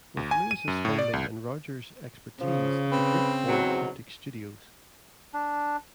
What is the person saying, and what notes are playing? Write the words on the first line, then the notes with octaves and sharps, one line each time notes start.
With Lewis' funding and Rogers' expertise, the group formed Cryptic Studios.
D2
G#5
D#7
F#2
A2
D5
C2
C#3 F3
C4 B4
E2 G#2 F#3
D4